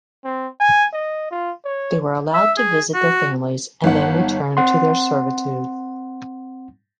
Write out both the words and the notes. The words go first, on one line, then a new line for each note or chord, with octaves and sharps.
They were allowed to visit their families and then return to their servitude.
C4
G#5
D#5
F4
C#5
E5
G#4
F#4
G1 D#3 F#5
C4 F#5 C6